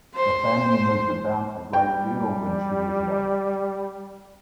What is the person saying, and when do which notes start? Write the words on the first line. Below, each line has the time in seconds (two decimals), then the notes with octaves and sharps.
The family moved about a great deal when she was young.
0.15 C5
1.73 G3 G5